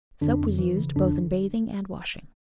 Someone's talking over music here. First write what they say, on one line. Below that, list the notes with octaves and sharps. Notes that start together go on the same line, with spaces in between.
Soap was used both in bathing and washing.
F2 D3 D4
F2
E3
C#3
F2 D3 D4